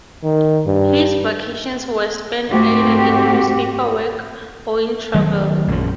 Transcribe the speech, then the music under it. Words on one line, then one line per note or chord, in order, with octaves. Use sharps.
His vacations were spent either in newspaper work or in travel.
D#3
G2
G#2 A3 C4 F#4 G4
D#3 F#3 A3
A#1 F#2 E3 F3